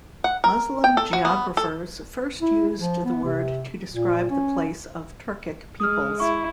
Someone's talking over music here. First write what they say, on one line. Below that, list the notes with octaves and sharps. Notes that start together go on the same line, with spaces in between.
Muslim geographers first used the word to describe the place of Turkic peoples.
F#5
A#4
G5
A4
F#4
B3
A4
E4
F3
B3
C3
A#2
C#4
G#3 D#6 F6
E4 C#6